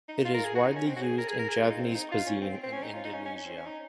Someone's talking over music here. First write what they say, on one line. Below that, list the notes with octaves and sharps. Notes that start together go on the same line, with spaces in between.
It is widely used in Javanese cuisine in Indonesia.
D#4
F4
A#4
G#4
F#4
D#4
C#4
C4
F#4
G#4
A#4
G#4
A#4
G#4
F4
D#4
C4
D#4
F4
C#4
C4
C4
C4
C#4
D#4
F4
D#4
C#4
C#4
C#4
C4
C#4
D#4